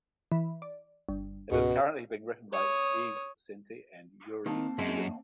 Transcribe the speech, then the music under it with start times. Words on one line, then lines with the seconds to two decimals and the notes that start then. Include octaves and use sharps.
It is currently being written by Yves Sente and Youri Jigounov.
0.32 E3
0.62 D5
1.09 G1
1.52 C#2 G#2 B2
2.52 C#5 D#6
4.46 D#3 A#3 C4 F5 A5
4.79 F#2 G#3